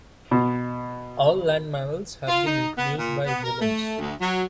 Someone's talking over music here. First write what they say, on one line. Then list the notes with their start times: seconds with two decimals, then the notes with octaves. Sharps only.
All land mammals have been introduced by humans.
0.31 B2
2.28 F4
2.45 D#4
2.77 B3
2.97 A#2
3.25 B3
3.43 A#4
3.59 A3
3.98 D2
4.20 F#3